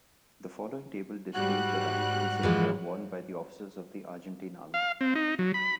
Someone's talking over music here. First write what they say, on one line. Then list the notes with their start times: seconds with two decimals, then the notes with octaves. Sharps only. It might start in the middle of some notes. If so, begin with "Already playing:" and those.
The following table displays the rank insignia worn by officers of the Argentine Army.
1.34 G#2 G3 F#4 F#6
2.43 E3 F3 G#3
4.74 F5
5.01 C4
5.15 D#4
5.39 F#3
5.54 B5